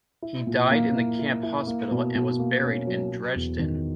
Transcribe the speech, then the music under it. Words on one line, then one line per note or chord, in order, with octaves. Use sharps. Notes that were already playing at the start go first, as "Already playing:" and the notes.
He died in the camp hospital and was buried in Dresden.
E4
A#2
A#3
E4
E4
E4
A#3
B2
B2
A#3
C#4
F#3
F#3
E2
D#3